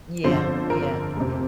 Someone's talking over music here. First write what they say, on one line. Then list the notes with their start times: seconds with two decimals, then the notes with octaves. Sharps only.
Yeah, yeah.
0.24 G1 F2 D3 F3 C5
0.70 A#4
1.16 F1 F2 C3